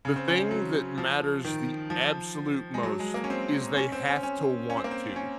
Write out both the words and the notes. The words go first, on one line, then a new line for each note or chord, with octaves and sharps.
The thing that matters the absolute most is they have to want to.
C#3
C4
C#4
C4
F#3
F3
D#3
F3
G#3
F#3
G#3
A#3
C#4
C4
C#4
C4
C#4
C#4
C#4
C4
A#3
C4
C#4